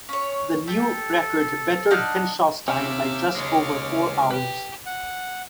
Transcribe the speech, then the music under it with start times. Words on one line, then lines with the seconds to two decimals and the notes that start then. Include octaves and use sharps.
The new record bettered Henshaw's time by just over four hours.
0.09 C#4 C#5
0.68 G4 A4
1.91 D4 D#4 F#5 F6
2.68 D#2 C3 C#4 E5 D6 F6
3.36 C#2 G#3 C#5
4.31 G4 B4
4.86 F#5